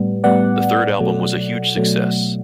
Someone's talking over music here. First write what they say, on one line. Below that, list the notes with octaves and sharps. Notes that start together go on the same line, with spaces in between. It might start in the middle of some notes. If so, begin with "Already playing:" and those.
The third album was a huge success.
Already playing: A2 G3 B3
A2 G3 B3 D5 F#5
B2 F#3 A3
B2 F#3 A3